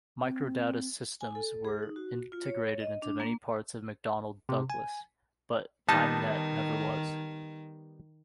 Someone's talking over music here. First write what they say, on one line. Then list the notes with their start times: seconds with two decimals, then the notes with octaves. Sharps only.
Microdata's systems were integrated into many parts of McDonnell Douglas, but Tymnet never was.
0.21 C4
1.21 G#5
1.35 A4
1.65 G#4
1.83 D#4
1.96 F#4
2.32 F4
2.46 C#5
2.80 D#5
3.02 D4
3.20 A#3
4.49 C3
4.70 G#5
5.89 D#3 G3 B3 D#4 A5